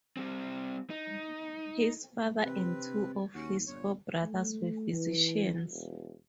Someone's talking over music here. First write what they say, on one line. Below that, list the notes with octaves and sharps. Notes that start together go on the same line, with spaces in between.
His father and two of his four brothers were physicians.
G3 C4
D#4
C3 C4 B4
D#2 C#4 F#4 F#5
G1 A#2 C#5
A3
E3
E1